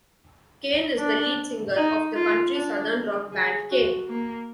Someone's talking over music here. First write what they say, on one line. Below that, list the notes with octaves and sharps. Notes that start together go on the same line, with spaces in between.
Kane is the lead singer of the country-southern rock band Kane.
D4
D#4
F4
D4
G#4
F#4
A#3